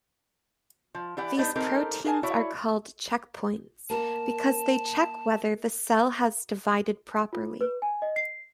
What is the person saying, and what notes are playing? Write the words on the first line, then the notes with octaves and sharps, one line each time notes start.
These proteins are called checkpoints, because they check whether the cell has divided properly.
F3
E3 E4 G4 D5 F#5
G3 B3 D4 D#4 D5
C4 D#4 G4 A4 A#4
G#4 A#4 F5 G#5 A5
E4 F#4 C#5 D5
A#3 A#4 A5
F4
B4
G#5
D#5
C7